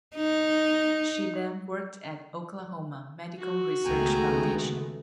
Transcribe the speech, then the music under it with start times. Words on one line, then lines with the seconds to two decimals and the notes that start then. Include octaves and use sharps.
She then worked at Oklahoma Medical Research Foundation.
0.15 D#4
3.38 F#4
3.85 C#2 D#3 G#3 A3 B3 G5 G#5 A#5